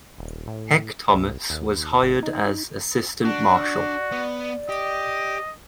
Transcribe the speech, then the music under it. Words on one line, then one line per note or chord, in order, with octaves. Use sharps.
Heck Thomas was hired as assistant marshal.
D#1
A2
C2
D#2
G#1
D#4
D4 F#4 D5
B3
G4 D#5